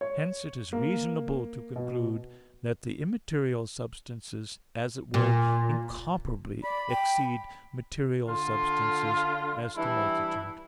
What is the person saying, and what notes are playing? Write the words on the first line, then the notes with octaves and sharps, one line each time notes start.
Hence it is reasonable to conclude that the immaterial substances as it were incomparably exceed material substances as to multitude.
C#5
A#3
B2
A#2
D5 B5
G5
D3 F4
E3 G3 D4 E4